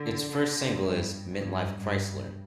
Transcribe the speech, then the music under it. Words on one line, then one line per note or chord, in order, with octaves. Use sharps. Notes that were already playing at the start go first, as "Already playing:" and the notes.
Its first single is "Mid-Life Chrysler".
Already playing: D3
D3
G2
G2
G2